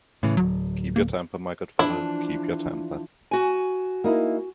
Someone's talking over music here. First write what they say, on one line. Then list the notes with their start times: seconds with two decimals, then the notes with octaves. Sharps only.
Keep your temper, my good fellow, keep your temper!
0.23 A2 C#3 E3
0.37 D1 F#3
0.96 A#3
1.79 E3 F3 D4 E4
3.31 F#4 G#5
4.04 A#3 D#4 E4